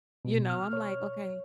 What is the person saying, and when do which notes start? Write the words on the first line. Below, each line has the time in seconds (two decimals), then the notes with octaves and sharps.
You know, I'm like, "Okay."
0.25 B2
0.50 F6
0.73 C#5